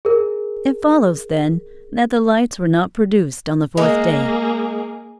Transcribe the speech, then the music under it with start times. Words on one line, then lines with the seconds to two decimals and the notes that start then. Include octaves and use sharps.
It follows, then, that the lights were not produced on the fourth day.
0.05 G#4 A#4
3.77 G#3 A#3 G#4